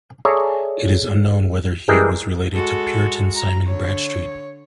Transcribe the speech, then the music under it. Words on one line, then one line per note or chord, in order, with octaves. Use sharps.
It is unknown whether he was related to Puritan Simon Bradstreet.
G#4 A4 C#5 D5 E5 A#5
E3 G3 G#3 G#4 A#4 G5
G#3 F#4 A4
A#5
D3 C#5